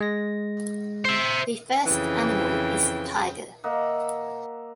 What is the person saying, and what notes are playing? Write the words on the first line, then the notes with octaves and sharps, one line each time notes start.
The first animal is Tiger.
G#3 A#6
C5 E5
F2 C#3 E3 G5
A#3 D#5 E5 F#5